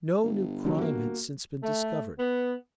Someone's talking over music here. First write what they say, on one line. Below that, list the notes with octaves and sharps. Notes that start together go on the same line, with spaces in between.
No new crime had since been discovered.
G1
D3 D#3 F#3
A#3 F#4
A3
B3